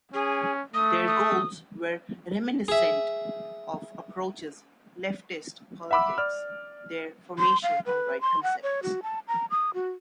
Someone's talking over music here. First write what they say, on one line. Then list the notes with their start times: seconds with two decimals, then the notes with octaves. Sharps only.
Their goals were reminiscent of approaches leftist politics, their formation on right concepts.
0.14 C#4 G#4
0.74 A3 D#6
1.08 D#6
2.68 G#4 E5
5.91 E5 F#5 B5 D6 E6
6.18 D5 F6
7.39 C6
7.63 F5
7.86 B4
8.21 C6
8.43 F#5
8.63 C#5
8.83 F#4
9.03 A5
9.28 A#5
9.50 D#6
9.74 F#4